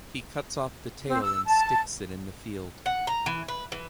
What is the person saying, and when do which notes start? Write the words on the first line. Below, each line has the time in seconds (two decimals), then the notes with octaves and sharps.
He cuts off the tail and sticks it in the field.
1.09 C4
1.23 E6
1.47 A5
2.86 F#5
3.07 A#5
3.26 E3
3.48 B4
3.72 E3